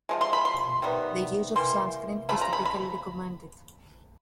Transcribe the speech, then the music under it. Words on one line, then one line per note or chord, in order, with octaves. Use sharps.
The use of sunscreen is typically recommended.
C3 F3 G#3
C6
B5
C6
C3 D#3 G3 B3
E3 G3 A#3 C6
C#3 F3 A3 B5
A#5
B5
B5